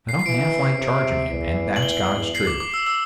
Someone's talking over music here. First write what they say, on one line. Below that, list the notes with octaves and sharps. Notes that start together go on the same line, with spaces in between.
I don't half like charging him, and that's God's truth.
C7
C7
E3 D7
C3
E2
F#7
G7
C7
D6
D6
E6
E6